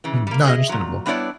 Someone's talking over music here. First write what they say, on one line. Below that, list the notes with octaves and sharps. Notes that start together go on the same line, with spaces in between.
Mhm, no understandable.
C#3 E3
G3 A#3
G#4 C5 C#5 D#5 E5
A#2 F#3
G3 B3 D4 E4 C#5 D5